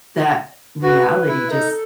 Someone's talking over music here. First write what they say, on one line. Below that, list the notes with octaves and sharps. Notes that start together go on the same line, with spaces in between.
that reality just
F#4 B4
E4
D#4 A4